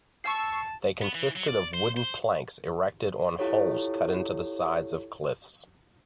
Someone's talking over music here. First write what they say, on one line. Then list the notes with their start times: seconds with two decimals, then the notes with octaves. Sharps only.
They consisted of wooden planks erected on holes cut into the sides of cliffs.
0.24 A5 C#6 E6 C7
1.02 B3
1.15 E3
1.36 F#3
1.48 D5
1.74 C5
1.97 C5
3.39 E4 F4 G4 A4 C#5